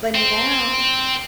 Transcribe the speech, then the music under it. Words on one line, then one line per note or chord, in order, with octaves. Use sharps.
But now
C4